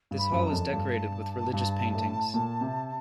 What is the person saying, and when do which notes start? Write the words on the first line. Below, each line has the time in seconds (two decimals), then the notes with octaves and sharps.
This hall is decorated with religious paintings.
0.11 G2
0.18 B5
0.32 F#2
0.45 A#5
0.50 F2 A5
0.72 G2 A5
1.53 G2
1.93 A2
2.34 A#2
2.61 C3